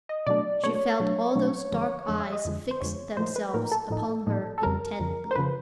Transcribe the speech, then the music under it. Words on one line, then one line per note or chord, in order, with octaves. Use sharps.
She felt all those dark eyes fix themselves upon her intently.
D#5
B2 F#3 A3 D4 D5
B2 F#3 A3 D4 C#5
B2 F#3 A3 D4
B2 F#3 A3 D4
F2 D3 F3 G#3
F2 D3 F3 G#3
D#5
E5
D#5
F2 D3 F3 G#3
C5
F2 D3 F3 G#3 C#5
A2 F3 A#3 D#4 C5
B4
A2 F3 A#3 D#4 A#4
A4
A2 F3 A#3 D#4
A2 F3 A#3 D#4
A4
F2 C#3 F3 A#4
F2 C#3 F3
C5
F2 C#3 F3 B4